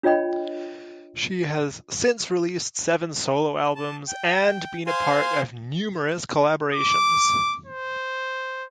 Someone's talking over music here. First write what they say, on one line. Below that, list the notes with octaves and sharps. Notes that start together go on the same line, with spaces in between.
She has since released seven solo albums and been a part of numerous collaborations.
D4 F4 C#5 D#5 G5 B5
A5
G5
C5 F5 G#5 C6
D6
C5